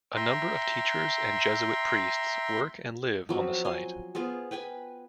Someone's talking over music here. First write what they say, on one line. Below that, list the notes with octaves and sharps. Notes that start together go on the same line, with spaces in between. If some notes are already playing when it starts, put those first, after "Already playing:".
A number of teachers and Jesuit priests work and live on the site.
E5 G5 A#5 C6
F3 F#3 C4
G#5 C6
B3 F4 G#4 C5
B4 G5 G#5 B5